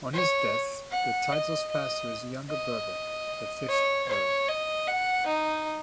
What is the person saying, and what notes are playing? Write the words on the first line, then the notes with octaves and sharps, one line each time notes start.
On his death the titles passed to his younger brother, the fifth Earl.
C#5
F#5
D#5
D#5
D#5
C#5
C#5
D#5
F#5
D#4